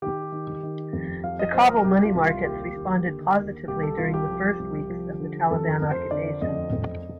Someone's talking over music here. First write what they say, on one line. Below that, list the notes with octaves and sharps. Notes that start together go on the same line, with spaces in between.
The Kabul money markets responded positively during the first weeks of the Taliban occupation.
D#3 G4
D#3
D#3
F2
F3 F5
D#5
C2 C5
A#4
C2 G4
F4
C2
F4
D#2 G4
D#2
D3
D#2
C2 G4
A4
C2 F4
G4
F3
C2
F3
D3
F2 A4
A#4
F2
C5
D3 D5
F2 D#5
F2